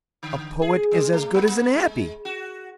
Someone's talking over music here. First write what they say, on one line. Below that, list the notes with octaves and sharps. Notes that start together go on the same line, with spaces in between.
A poet is as good as an abbe.
D3
G#4
G3
A3
A#3
A#3
G#3
F#4